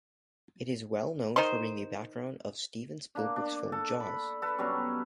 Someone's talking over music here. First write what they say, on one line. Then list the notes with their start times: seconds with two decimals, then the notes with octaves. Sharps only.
It is well known for being the background of Steven Spielberg's film "Jaws".
1.36 D#3 D#4 C5 C6
3.15 A#3 D4
3.36 D4
3.72 A4
4.00 B5
4.42 A4 B4
4.58 B2 F#3 G3 C#4